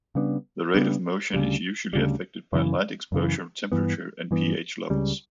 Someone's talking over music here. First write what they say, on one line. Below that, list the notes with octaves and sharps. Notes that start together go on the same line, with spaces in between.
The rate of motion is usually affected by light exposure, temperature, and pH levels.
C#3 G3 B3 D4
C#3 G3 B3 D4
D2 C#3 G3
D2 C#3 G3
F#2 C#3 E3
F#2 C#3 E3
G2 E3 B3
G2 E3 B3
C#2 C#3 G3